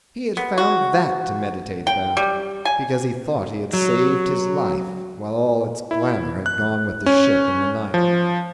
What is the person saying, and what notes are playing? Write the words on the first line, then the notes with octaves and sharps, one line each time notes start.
He had found that to meditate about because he thought he had saved his life, while all its glamour had gone with the ship in the night.
B3
F#4
G5
G3
G#5
F#3
E4
F#6
C#4
F3